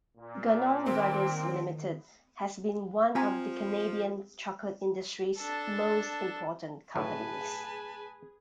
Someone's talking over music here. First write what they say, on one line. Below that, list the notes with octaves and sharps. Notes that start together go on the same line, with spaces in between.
Ganong Brothers Limited has been one of the Canadian chocolate industry's most important companies.
A#2
D#3 C4 G5
F3 C4 G#5 A#5
D4 A4
B1 A2 G#4 B4 G#5 A5